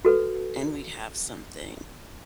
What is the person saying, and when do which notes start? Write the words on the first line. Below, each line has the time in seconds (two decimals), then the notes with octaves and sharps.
and we'd have something,
0.05 F#4 A4 B4